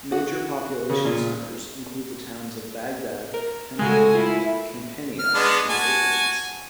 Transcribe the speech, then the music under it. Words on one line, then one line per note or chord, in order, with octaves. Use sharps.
Major population centres include the towns of Bagdad, Kempton, Campania and Oatlands.
F#4
C#3
A#2
A#4
A2 C#3 G#3 A3 F#4 G#5
A#3 C4 E4 F4
F6
G#3 B3 D4
F#4 G#5 A5